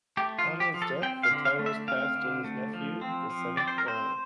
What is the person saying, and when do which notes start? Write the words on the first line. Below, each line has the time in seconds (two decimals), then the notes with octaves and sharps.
On his death the titles passed to his nephew, the seventh Earl.
0.17 A3 G4
0.39 F4
0.46 F3
0.60 G4
0.74 F3
0.82 A4
1.02 C4 G5
1.23 F5
1.31 D3
1.45 F5
1.59 A3
1.66 E5
1.88 C4 F5
2.15 D3
2.44 A3
2.73 F3
3.01 C4
3.30 F3
3.57 C4 D5
3.68 C5
3.78 A#4
3.86 C4 C5